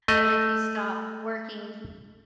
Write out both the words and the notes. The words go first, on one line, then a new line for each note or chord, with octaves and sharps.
But if you stop working,
A3 D#5